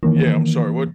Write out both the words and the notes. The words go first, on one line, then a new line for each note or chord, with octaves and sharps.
Yeah, I'm sorry, what?
D#3 E3 A#3